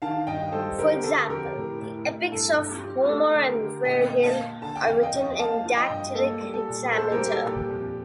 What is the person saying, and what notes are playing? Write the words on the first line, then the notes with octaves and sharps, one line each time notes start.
For example, the epics of Homer and Vergil are written in dactylic hexameter.
D#3 F5 A5
G2 D#5 G5
G3 A4 C5
D3 G4 A#4
D3 A4
F2 G4 A#4
A2
A2
A2
G2 A4
G2
G4
F3
A3 A4
D3
G4 A#4
D3
A#2 D#5 G5
A#3
F5 A5
A#3
D3 A5
G5
F2 F5
D#5 G5
F2
A#3 F5 A5
F3
D#5 G5
G2
A#3 A4
G3
A4
A#2
A#3 A4 C5
G4 A#4
G3
A4
A#2
G4
F2